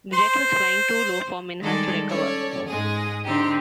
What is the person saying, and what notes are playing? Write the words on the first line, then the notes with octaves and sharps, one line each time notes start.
The jet was flying too low for Minhas to recover.
C5 C6
D#3 G3 G#3 G#4 A4 D5
C#4 A4 C#5 D5
G#2 G#3 G#4 D#6
D3 C4 D#4 G4